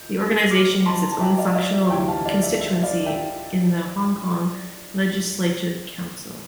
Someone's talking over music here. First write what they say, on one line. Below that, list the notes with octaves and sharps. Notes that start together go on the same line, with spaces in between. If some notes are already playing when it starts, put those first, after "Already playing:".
The organisation has its own functional constituency in the Hong Kong Legislative Council.
Already playing: G6
D6 F6
A5 C6
A#5
A5
E5 G5
D5 F5
D5 F5
E5
D2 C3 E3 E5 G5
F5 A5
D5 F5
E5
E5
D5 F5
E5 G5